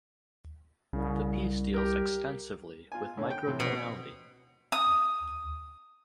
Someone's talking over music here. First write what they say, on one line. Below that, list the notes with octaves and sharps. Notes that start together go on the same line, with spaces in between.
The piece deals extensively with microtonality.
C2 C#3
G4 A#4
F4 G#5
A2 D3 C#4
G5
A2 C3 E3
A#1 B2 C4
D#6